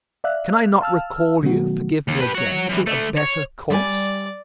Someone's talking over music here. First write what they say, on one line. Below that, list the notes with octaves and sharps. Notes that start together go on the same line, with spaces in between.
Can I not recall you--forgive me again!--to a better course?
D5 E5 F5 F#6
F5 A5 E6 F6
B2 D#3 F#3 A3 B3 F#4
D#2
G4 B4
F#4 C#5
F#2 E3
D3 A3
C#5
G3 D5 G#5